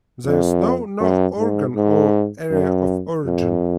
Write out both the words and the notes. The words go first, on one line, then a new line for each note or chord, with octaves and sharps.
There is no known organ or area of origin.
F2
F#2
G#2
G#2
F#2
F2